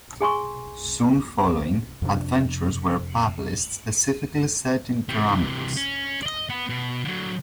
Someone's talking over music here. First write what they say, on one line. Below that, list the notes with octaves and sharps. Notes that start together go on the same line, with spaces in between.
Soon following, adventures were published specifically set in Karameikos.
G#4 G#5 C6 C#6
F2 C3 D4
C3 E3
C#4
D5 D#5
B3
B2
D3 F#3